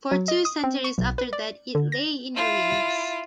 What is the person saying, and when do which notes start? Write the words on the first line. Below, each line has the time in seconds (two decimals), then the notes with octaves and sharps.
For two centuries after that it lay in ruins.
0.11 F#3
0.28 D#5
0.45 D#6
0.64 C4
0.84 C#6
0.98 B1
1.18 B4
1.33 D5
1.75 D3
1.92 A#6
2.36 E4 F4